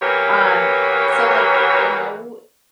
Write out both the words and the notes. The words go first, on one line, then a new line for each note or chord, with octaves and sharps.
Um, so, like, I know
E3 F#3 A#3 B3 G4 C#5